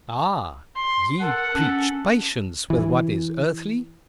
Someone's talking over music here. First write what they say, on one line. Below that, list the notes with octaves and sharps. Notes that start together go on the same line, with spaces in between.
Ah! ye preach patience with what is earthly?
C6
A4 A#4 F#5
C#4 A4
E3